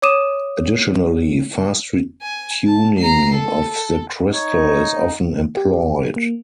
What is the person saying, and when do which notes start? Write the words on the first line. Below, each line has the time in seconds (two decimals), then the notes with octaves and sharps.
Additionally fast retuning of the crystal is often employed.
0.02 C#5 D6 D#6 D#7 E7
2.22 G#5
2.66 A5
2.98 A#5 C7
3.34 A4
4.33 D#4 C#5
5.57 G4
6.16 A#3